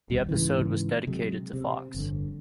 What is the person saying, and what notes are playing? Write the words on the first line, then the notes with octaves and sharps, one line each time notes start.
The episode was dedicated to Fox.
D#1 C2
G#2 C#3 E3
C3 F#3 G#3
C3
G1 F2 D3